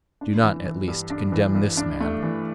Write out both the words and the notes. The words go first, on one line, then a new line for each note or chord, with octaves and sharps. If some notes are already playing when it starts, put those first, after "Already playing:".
Do not, at least, condemn this man!
D4
E3
E3
G2
D4
E3
G2
D4
A3
E3